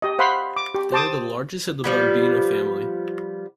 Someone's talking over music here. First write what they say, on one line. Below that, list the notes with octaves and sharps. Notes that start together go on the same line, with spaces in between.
They are the largest of the bombina family.
G4 D#5
C5 F5 F#5 B5 C6
D6
G4
C5 A5 D6 D#6
F3 G3 B3